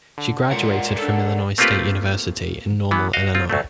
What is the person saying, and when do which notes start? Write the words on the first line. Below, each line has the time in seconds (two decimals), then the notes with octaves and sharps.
She graduated from Illinois State University in Normal, Illinois.
0.18 D3
0.51 G#3 F4 A#4 C#5 D5 F#5
0.98 D4 A4
1.58 A3 A#3 C4 F4 G4 B4
2.91 E3 B3
3.13 F#4 D#5 F5
3.35 C4 F4
3.50 D2 F#3 A3